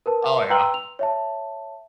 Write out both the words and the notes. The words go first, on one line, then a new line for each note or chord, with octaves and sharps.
Oh, yeah.
A#4 B4 A5
B4 G5 A#5 C6 E6 F#7
F7
C#5 E5 A5